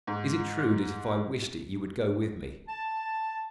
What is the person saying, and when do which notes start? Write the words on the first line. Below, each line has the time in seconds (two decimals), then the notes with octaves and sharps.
"Is it true that if I wished it you would go with me?"
0.07 G#2
2.68 A5